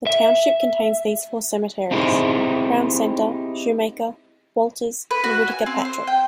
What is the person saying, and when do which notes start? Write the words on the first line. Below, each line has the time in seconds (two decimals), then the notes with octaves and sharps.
The township contains these four cemeteries: Crown Center, Shumaker, Walters and Whitaker-Patrick.
0.07 E5
1.91 C4 D#4 E4 G4 G#4 C5
5.11 B4
5.24 F#4
5.48 G#5
5.66 C4
5.85 C5
6.07 G5